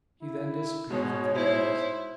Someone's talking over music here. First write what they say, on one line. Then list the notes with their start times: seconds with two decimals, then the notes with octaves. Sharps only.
He then disappeared for three days.
0.21 E4
0.91 G#2 B2 F#4 C#5
1.35 E4 C5